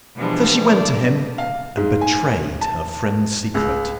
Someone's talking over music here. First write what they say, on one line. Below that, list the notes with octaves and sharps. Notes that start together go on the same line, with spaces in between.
So she went to him, and betrayed her friend's secret.
B2 E3 F3 G3 G#3 D4
D4 D5
F5
G#2
G#5
A5
C#2